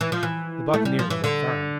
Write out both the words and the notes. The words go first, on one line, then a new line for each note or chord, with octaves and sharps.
The buccaneers were firm.
E3
F3
E3
A3
G3
F3
E3
D3